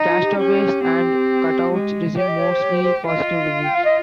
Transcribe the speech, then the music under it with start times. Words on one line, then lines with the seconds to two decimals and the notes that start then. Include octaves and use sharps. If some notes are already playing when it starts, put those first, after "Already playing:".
"Castaways and Cutouts" received mostly positive reviews.
Already playing: D#4
0.08 F4
0.23 G4
0.38 C#4 G4
0.83 C4
1.72 G#3
2.17 G4 C#5
2.28 D#5
2.39 C#5
2.50 C5
2.62 C#5
2.72 C5
2.84 C5
3.06 F4 D#5
3.63 G5
3.74 F5
3.85 D#5